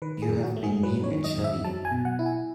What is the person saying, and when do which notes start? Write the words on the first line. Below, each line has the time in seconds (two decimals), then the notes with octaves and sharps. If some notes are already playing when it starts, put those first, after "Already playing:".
You have been mean and shabby.
0.02 D#3 B4
0.22 G#4
0.29 F#2
0.43 F#4
0.56 A3
0.64 G#4
0.83 F#3 B4
1.04 C#5
1.11 D#3
1.24 D#5
1.38 F#2
1.44 E5
1.64 F#3 A5
1.85 G#5
1.92 B2
2.05 F#5
2.19 E4
2.26 G#5